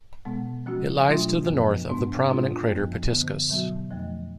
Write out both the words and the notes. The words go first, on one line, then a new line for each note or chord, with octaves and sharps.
It lies to the north of the prominent crater Pitiscus.
B2 G#3 B3
F3 G#3 C#4 F#4
B2 F#3 A3 D4 F4
F#2 C#3 F3 B3
G#2 G#3 B3 D4
A2 G#3 D4 F4
F#2 F3 B3
D3 F3 B3
B2 F#3 B3 F#4
F2 F3 A3